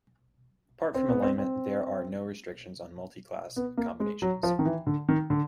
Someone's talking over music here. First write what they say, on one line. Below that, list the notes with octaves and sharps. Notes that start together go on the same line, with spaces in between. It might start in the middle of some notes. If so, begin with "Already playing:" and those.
Apart from alignment, there are no restrictions on multi-class combinations.
C4
B3
C4
C4
B3
A#3
G#3
F#3
F3
D#3
E3
D3
D#3
D3